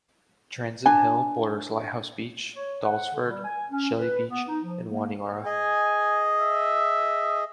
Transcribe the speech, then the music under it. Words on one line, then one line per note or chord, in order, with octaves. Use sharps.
Transit Hill borders Lighthouse Beach, Dahlsford, Shelly Beach and Waniora.
D4 G#5
C#5
F#5
D3
G3
G#5
C#4
B4
B3
D#4
F3
A#3
G#4 D#5 G#5
E5